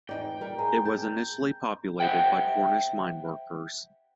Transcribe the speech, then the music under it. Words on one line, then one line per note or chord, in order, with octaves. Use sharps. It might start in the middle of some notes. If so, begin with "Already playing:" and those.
It was initially populated by Cornish mineworkers.
E2 D#4 D5 G5
G3 A#4
G#4 C5 A#5
A5 G6
C5 E5 F#5 G5